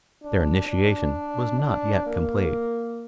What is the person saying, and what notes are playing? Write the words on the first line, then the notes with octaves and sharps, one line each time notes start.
Their initiation was not yet complete.
D4
D4
D4
A#3